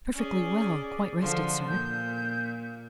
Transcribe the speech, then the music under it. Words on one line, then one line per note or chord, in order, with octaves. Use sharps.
"Perfectly well; quite rested, sir."
C#4 G#4 D5
D3 F3 C6
A#2 G6